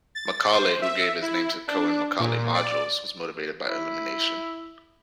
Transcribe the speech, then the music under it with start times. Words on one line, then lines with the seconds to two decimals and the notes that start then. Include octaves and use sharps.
Macaulay, who gave his name to Cohen-Macaulay modules, was motivated by elimination.
0.15 A6
0.53 C5
0.82 E5
1.22 E4
1.68 D4
2.19 A#2
2.55 D5
3.68 E4